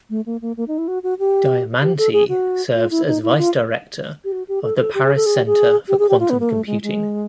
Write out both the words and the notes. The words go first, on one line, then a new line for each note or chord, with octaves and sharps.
Diamanti serves as Vice Director of the Paris Centre for Quantum Computing.
A3
A#3
A#3
A#3
D#4
E4
F#4
F#4
G4
G4
A4
G#4
F#4
F4
E4
D#4
E4
F4
G4
F#4
G4
A4
A4
G4
G#4
A4
G#4
G4
G#4
G4
G#4
G4
F4
B3
A#3
A3
G#3
G#3